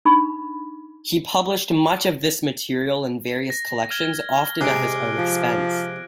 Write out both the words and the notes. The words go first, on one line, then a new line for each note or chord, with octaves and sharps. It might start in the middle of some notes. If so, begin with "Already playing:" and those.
He published much of this material in various collections, often at his own expense.
D4 D#4 B5 C#6
A#6
F6 G#6 G7
C3 G#3 F#6 D7
F3